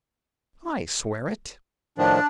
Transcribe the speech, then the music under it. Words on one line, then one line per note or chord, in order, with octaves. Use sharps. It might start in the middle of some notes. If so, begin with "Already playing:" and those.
"I swear it."
A2 D#3 F3 D4